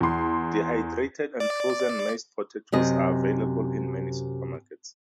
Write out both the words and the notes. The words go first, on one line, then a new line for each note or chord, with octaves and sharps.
Dehydrated and frozen mashed potatoes are available in many supermarkets.
E2 C6
D5
F#2 C3 D#5